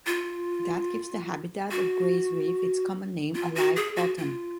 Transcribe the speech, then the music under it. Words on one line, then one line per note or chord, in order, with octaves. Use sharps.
That gives the habitat of Gray's Reef its common name - a "live bottom".
F4
F#4
F4
F#4
G#4
F#4
F4